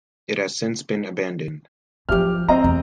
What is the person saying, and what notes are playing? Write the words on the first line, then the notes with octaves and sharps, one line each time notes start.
It has since been abandoned.
F#2 F3 G4 F6
G3 C4 D#5 A#5
E2